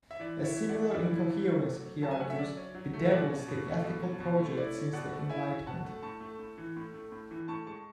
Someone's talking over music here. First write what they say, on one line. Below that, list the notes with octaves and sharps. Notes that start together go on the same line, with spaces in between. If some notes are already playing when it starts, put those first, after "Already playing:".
A similar incoherence, he argues, bedevils the ethical project since the Enlightenment.
E5
E3 D5
E4
C#5 E5
E3
D5 F#5
A3
E5
E3 D5
E4
E3
A3
F#3
C#4
F#3 A5
G#5
A3 F#5
E5
F#3 D5
C#4
F#3
A3
E5
B2 D5
C#4
B2
A3
B2
C#4
B2
A3
E4 D5
C#4
B2 D5 F#5
A3
E4 E5 G#5
C#4
B2 F#5 A5
A3
A2 A5 C#6
A3
A2
E3
A2
A3
A2
E3
A2 A5 C#6
G#3 A5 C#6